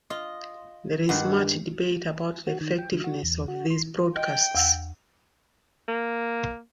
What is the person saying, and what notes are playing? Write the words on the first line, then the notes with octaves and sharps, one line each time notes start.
There is much debate about the effectiveness of these broadcasts.
F4 D#5
G2 D#3 G#3 F#5
F#4
D#3
G5
D3
F#4
E2
F#4
C6
D#5 G5
E2 F#5 E6
A#3